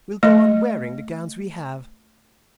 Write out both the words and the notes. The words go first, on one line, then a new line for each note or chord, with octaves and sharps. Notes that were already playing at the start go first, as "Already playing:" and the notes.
We'll go on wearing the gowns we have.
A3 D#5